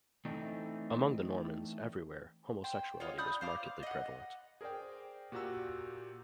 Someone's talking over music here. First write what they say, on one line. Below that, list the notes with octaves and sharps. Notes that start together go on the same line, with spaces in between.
Among the Normans, everywhere, homosexuality was markedly prevalent.
E3 A3 C4 D4 D#4
C5 G5
F4 F#4 C#5 D#5
D4 B5 D#6 G6
C5 F5 D6
D#5 F#5
G#4 A#4 C5 D5 G5
A#2 F#4 G4 A#5 E6